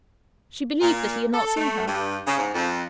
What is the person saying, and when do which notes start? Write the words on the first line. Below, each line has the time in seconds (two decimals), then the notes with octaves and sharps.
She believed that he had not seen her.
0.81 A#2
1.33 A4
1.57 A3
1.86 G2
2.25 C#3
2.37 G#2
2.54 F2